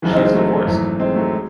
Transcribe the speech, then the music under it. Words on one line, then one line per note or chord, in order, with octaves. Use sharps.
She is divorced.
F#1 F#2 C#3 E3
C4 D#4
G#3 C4
F#3 A3
G#1 F#2 E3
G#3 C4
F#3 A3
G#3